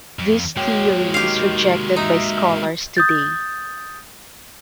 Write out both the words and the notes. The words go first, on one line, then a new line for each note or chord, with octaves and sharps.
This theory is rejected by scholars today.
F2
G#3 A#3 F#4 C#5 G5
D#3 G4 F5
D#4 E5
D#6 G6 A6